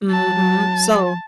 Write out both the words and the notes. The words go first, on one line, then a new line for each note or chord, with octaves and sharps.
Mhm, so
F#3 A5